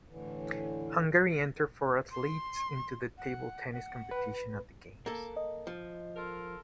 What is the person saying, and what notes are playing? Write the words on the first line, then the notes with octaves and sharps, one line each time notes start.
Hungary entered four athletes into the table tennis competition at the games.
A2 D3 E3
C6
F#5
F#5
B4
A#3 A4
D#5
F3
F4 A4 A#4